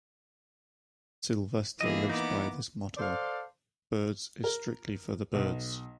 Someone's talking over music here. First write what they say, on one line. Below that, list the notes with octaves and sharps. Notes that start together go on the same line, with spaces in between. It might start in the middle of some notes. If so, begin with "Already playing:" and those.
Sylvester lives by this motto: Birds is strictly for the birds!
E3 A#3 G4 G#4 D#5
B3 D#4 D6
A4 C5 D5 F5
A#4
B1